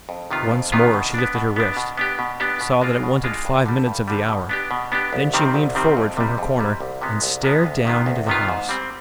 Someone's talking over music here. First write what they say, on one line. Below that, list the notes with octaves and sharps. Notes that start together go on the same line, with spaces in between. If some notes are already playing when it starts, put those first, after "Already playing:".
Once more she lifted her wrist, saw that it wanted five minutes of the hour; then she leaned forward from her corner and stared down into the House.
F2
C3 D#3 B3 F4
F2
C3 D#3 B3 F4
B2
B3 D4
B2
B3 D4
B2
B3 D4 G4
B2
B3 D4 G4
B2
G#3 D4 F4
B2
G#3 D4 F4
G2
D3 G3
G2
D3 G3
B2
B3 D4 G4
B2
B3 D4 G4
C2
C3 D#3 G3 C4
C2
C3 D#3 G3 C4
F2
C3 G3
F2
C3 G3
C2
C3 F3 G#3 B3
C2
C3 F3 G#3 B3
D2
C3 D#3 B3 F4
D2
C3 D#3 B3 F4
G#2
G3 C4